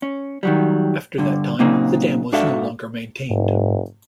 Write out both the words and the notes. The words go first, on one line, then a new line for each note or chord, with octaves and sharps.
After that time, the dam was no longer maintained.
C#4
D#3 F#3 G3
G2 D3
A#2 C#3 F#3 A#3 C4 D#4
G#2 D4 F#4 A4 E5 F5
F#1 G#2